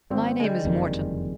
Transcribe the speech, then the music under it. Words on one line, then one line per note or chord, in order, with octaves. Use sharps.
"My name is Morton."
G#1 C4
D3 G3 G#3
F#1 F2 D#3